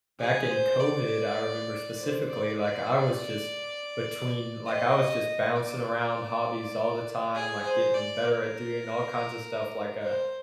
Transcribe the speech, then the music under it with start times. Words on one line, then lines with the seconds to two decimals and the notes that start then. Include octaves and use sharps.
back in COVID, I remember specifically, like, I was just between, like I was just bouncing around hobbies all the time, like, getting better at doing all kinds of stuff, like, uh,
0.20 G#4
0.50 C5
0.79 D5
1.99 C5
2.28 D5
2.58 D5
4.67 D#5
5.56 D5
7.35 G#4
7.64 C5
7.94 D5
8.24 A#4
10.02 C5